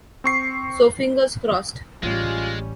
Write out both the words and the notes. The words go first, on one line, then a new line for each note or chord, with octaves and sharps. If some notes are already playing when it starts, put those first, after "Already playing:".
So fingers crossed.
C4 C#6 C7
A1 G3 G#3 C#4 F4